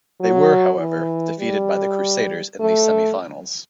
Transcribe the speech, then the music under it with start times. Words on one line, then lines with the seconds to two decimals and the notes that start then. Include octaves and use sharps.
They were however defeated by the Crusaders in the semi finals.
0.20 F#3
0.80 E3
1.40 G3
2.60 A3